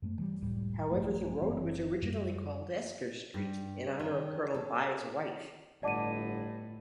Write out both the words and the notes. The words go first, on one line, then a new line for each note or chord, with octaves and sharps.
However, the road was originally called Esther Street in honour of Colonel By's wife.
F#2 G#3 A3
E3 F3 G3
F1 C#2 A2 G3
A#1 G2 F3 A3
F#1 E3 C4
F#2 G3
G2
D#3
A4
G1 A2 D5 D#5 F#5 A5 D6 D#7